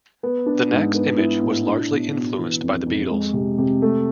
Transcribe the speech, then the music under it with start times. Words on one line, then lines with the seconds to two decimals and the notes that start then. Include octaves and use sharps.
The Knack's image was largely influenced by the Beatles.
0.23 B3
0.46 D4
0.71 G#2
0.95 B3
1.18 E4
1.43 A2
1.66 D4
1.91 B2
2.15 B2
2.38 E3
2.62 F2
2.87 F2
3.10 G#3
3.34 C3
3.58 C3
3.82 A3